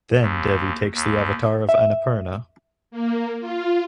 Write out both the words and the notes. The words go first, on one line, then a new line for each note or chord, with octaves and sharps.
Then Devi takes the avatar of Annapurna.
D#2
D#2
E5
A#3
F4